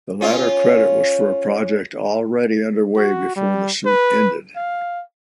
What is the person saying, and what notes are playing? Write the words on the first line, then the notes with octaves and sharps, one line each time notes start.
The latter credit was for a project already underway before the suit ended.
C#4 F4
F#4
G3
B4
F5